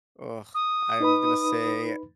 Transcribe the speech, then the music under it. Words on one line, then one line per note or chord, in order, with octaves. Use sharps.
Ugh. I'm gonna say
D#6
D#4 B4 B5